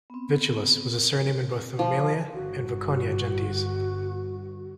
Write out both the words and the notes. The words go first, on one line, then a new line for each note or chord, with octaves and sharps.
"Vitulus" was a surname in both the Mamilia and Voconia gentes.
B3 C4
C4 A#4
F3
G1 F#4